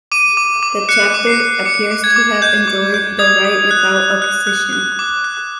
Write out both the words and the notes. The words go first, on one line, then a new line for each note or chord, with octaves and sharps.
The chapter appears to have enjoyed the right without opposition.
D6 D#7
D6
D6
F#6 C#7
D6
C7
D6
D6 C#7
D6
G#6
D6
G6
D6
G6
D#6 G#6
D#6
F#6
F#6
F#6
F#6
F#6
D6
F#6